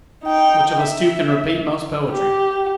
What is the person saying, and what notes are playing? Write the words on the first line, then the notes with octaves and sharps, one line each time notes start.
Which of us two can repeat most poetry?
D#4 G5
E5
G4